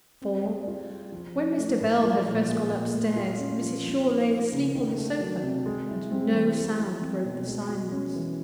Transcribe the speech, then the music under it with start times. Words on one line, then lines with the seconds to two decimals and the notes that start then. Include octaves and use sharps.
For, when Mr. Bell had first gone up-stairs, Mrs. Shaw lay asleep on the sofa; and no sound broke the silence.
0.22 C4
0.45 G#4
0.68 F4
0.90 G3
1.12 F3
1.36 C#4
1.58 A3
1.80 A2
2.03 F3
2.26 A#2
2.49 G#3
2.71 A#2
2.94 A3
3.16 F4
3.39 C#4
3.61 F3
3.85 F3
4.07 D#4
4.30 A#3
4.52 C#3
4.75 D#3
4.98 A3
5.21 F#3
5.43 C3
5.66 G#3
5.89 E4
6.11 C4
6.34 E3
6.56 G3
6.79 E4
7.01 C4
7.24 B2
7.47 G#3
7.69 F#4
7.92 C#4
8.16 E3